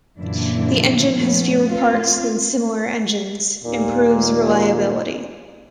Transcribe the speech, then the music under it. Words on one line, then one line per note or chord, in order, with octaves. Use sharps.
The engine has fewer parts than similar engines, improves reliability.
F#2 A#2 D3 E3 D4 E4
A#2 F3 A3 B3 C#4
A3 C4 F4
D#2 A#2